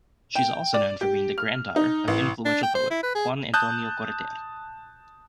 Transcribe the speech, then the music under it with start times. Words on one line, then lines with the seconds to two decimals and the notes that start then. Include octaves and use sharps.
She's also known for being the granddaughter of influential poet Juan Antonio Corretjer.
0.35 G5
0.74 D5
1.01 G4
1.38 F6
1.76 D#4
2.08 A1
2.45 D4
2.63 G5
2.75 C5
2.91 E4
3.03 B4
3.15 G#4
3.54 A5 D#6 F#6 G6